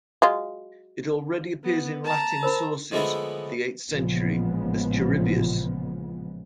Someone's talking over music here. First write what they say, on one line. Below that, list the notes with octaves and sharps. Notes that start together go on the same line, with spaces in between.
It already appears in Latin sources of the eighth century as Charivius.
F#3 G#3 F4
B3
A5 A#5
A#4 C5 B5
D3 F3 G#3 A3 B3 E4
A1 A#2 C#3 F3 G#3 B3